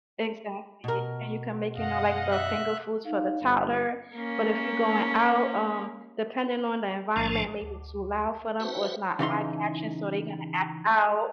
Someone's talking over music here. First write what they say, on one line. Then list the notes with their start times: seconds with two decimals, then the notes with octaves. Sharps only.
Exactly, and you can make, you know, like the finger foods for the toddler, but if you're going out, um, depending on the environment, maybe it's too loud for them or it's not eye-catching, so they're gonna act out.
0.84 B2 A#4
1.77 F#2 D#5 F5 F#5
2.31 E5 F#6
3.05 D#4 F5
3.41 G1
4.15 A#3 C#4
7.16 B1 A2 F3 G#3 D4 A5
7.62 D2
8.60 F#4 B4 C5 E5 F#5
9.19 C#3 E3 D#4 C6